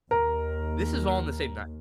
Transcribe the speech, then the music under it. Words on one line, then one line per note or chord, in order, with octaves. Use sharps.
This is all in the same night
D#2 A#4